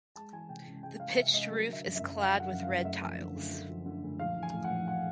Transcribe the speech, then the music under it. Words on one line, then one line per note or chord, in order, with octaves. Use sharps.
The pitched roof is clad with red tiles.
G#3 A5
E3 G#5
C3 G5
C#2
G#3 G5
E3 F5
C3 E5
C#2 D#5
F#3 A#4
D3 E5
F#2
F#1 E5
F#3 F5
D3
F#5
F#2
F5
F#1
A3 E5
F3
D3
D2
A3
F3
D3
D2
A#1 F5
E3
G#5
A2
F#5
A#1
F#5